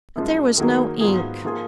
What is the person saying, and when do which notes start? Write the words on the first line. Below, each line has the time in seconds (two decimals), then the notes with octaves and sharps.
But there was no ink.
0.16 F#2 F3 G#3
0.58 D#3 F#3 A#3 D#4 G#4
1.00 G#2 F#3 B3 F4 G#4
1.45 F3 A#3 F4 G#4